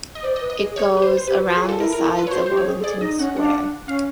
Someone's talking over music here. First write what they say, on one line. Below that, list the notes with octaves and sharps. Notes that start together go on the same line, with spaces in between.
It goes around the sides of Wellington Square.
D#5
C5 D5
D#5
B4
D#5
G#4
G#4 C#5
G4
B4
C5
C5
G4 B4
F#4
G#4
F4
A4
E4 A#4
A#4
E4
A4
F4
B4
C#5
F#4 C5
G4 C5
C#5
G#4
A4
G#4 D5
D#4 D#5
C#4 F#5
D4 F#5
F5
F#5
C#4 F5